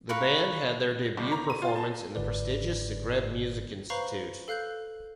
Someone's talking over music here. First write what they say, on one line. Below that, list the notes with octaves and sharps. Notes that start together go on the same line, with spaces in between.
The band had their debut performance in the prestigious Zagreb Music Institute.
A#4 B4 F5 C#6
G1
A#5
D#7
F4
A5
G1 G#2 D3 B4 D5
B4 C5 F5 A#5 B5 C#6
A4 F5 F#6 G6 F#7